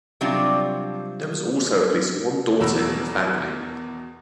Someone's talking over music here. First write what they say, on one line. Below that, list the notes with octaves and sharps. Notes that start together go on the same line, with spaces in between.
There was also at least one daughter in the family.
C3 F#3 G3 C4 D4 F4
E2 B2 A#4 B5 E6